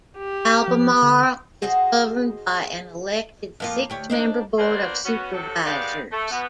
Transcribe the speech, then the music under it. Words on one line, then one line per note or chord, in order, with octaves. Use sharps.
Albemarle is governed by an elected six-member Board of Supervisors.
G4
F3
D3
F#4 G#4 C5 D#5
F2 A#3 F4
D2 G4 C#5
D4 D#4 C5
A#3 B3 D4 F4 B4 C5
B3 C#4 F#4
C3 F#3 A4
D#3 G3 G#3 B3 D5 F5
A3
B2 B3